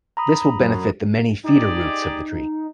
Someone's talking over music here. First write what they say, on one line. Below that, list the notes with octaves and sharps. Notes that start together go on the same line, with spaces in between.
This will benefit the many feeder roots of the tree.
A#5 B5 D#6
F#2
D#4 G4 G#4 D5